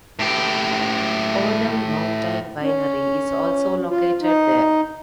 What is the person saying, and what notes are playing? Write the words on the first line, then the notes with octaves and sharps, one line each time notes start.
Odem Mountain Winery is also located there.
A2 G4
C#4
F4
D#4